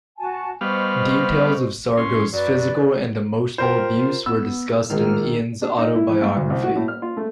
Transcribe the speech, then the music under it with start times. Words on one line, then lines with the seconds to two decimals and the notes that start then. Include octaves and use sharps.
Details of Sargo's physical and emotional abuse were discussed in Ian's autobiography.
0.18 F#4 G#5 A5
0.61 G3 B3 C5 D#5 F5 C#6
1.97 C#4 C6
2.33 F#2 B4 D5
3.58 F4 G4 A#4 C5
4.26 B3 E6
4.90 A#1 G#2 D#3 A#3 F6
5.62 D4
5.78 D#4
5.95 E4
6.09 E3
6.21 G2
6.37 D2
6.50 C2
6.63 F#4
6.76 A2
6.88 F6
7.02 F4
7.17 A3